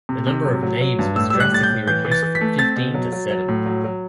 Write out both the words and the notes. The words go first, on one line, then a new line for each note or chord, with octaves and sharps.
The number of naves was drastically reduced from fifteen to seven.
C3
C3
F#3
F#3
F#3
G2
A2 E6
G3 E6
F#6
A2 A6
G6
A2
E3 G6
E3
A6
E3
B6
A3
C4 A6
B2
F#3
F#3
F#3
A2
F#3
F#3